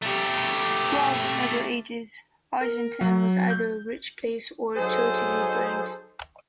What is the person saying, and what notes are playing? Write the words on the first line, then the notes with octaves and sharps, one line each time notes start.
Throughout the Middle Ages, Argentan was either a rich place or totally burnt.
A3 G4
A#4
F#3
G6
F#3 D#4 G#4 A4 C5